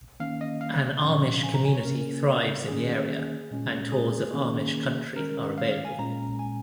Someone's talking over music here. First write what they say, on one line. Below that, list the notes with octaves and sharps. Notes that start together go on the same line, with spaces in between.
An Amish community thrives in the area and tours of Amish country are available.
D#3 A#3 C#4 F5
D#5
F5
A#2 F3 C#4
G#5
A#5
G#5
C#5
C#3 A#3 C#4 A#4
D#3 A#3 C#4 G#4
A#2 G#3 C#4
G#4
D#3 A#3 C#4
D#3 G#3 C#4 A#4
F5
F5
G#5
A#2 G#3 C#4 A#5
G#5